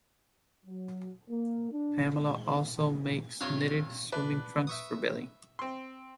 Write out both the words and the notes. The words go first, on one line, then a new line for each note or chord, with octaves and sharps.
Pamela also makes knitted swimming trunks for Billy.
F#3
A#3
D4
G#2
G2 C3 F4 C#5 F5
D4 B4
E5 C#6 D#6
C4 C6